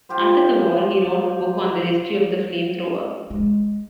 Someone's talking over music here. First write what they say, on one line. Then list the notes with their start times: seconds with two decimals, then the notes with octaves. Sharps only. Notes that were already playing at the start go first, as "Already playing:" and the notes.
After the war, he wrote a book on the history of the flamethrower.
0.09 F4 G4 G#4 C5
3.30 G#3